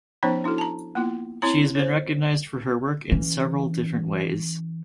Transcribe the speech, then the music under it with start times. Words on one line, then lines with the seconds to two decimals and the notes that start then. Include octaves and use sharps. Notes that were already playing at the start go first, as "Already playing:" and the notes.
She has been recognized for her work in several different ways.
0.23 F3 B3 C#4 D#4 C5 C#5
0.44 D4 E4 F#4 A4
0.58 A5 A#5
0.95 A#3 B3 E4 F4
1.42 C4 E4 C#5 A#5
1.75 C5 C#5
3.12 E3 C#4